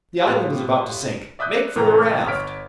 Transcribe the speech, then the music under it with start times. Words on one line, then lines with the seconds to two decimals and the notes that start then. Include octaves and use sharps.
"The island is about to sink! Make for the raft!"
0.23 A2 F4 G4
1.39 D5 E5 D#6 F#6 G6
1.75 C2 A2 E3 A#3 C#4 A#5
2.26 G1 C#5 F6 B6 D7